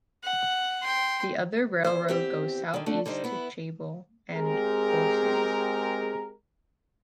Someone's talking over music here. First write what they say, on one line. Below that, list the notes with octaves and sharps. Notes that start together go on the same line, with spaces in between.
The other railroad goes southeast to Chable and Orsieres.
F#5
G5 C6
E2 C5
E2 C4 G4
D3 D#3
D3 A3 D4
D3 G3 D#4 C5
B3 E4
G#3 C4 G4 G#4 A#4